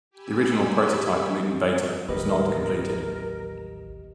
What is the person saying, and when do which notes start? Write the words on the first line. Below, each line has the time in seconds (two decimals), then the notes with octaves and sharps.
The original prototype Luton Beta was not completed.
0.11 G4 G#5 B5 E6
2.08 A1 D#2 F#3 G4 A#4 B4 D#5